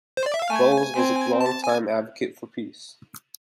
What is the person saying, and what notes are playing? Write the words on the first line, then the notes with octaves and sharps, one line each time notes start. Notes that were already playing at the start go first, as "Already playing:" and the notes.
Bowles was a long-time advocate for peace.
C5
D5
E5
F5
A3 G#5
C4
A5
G#5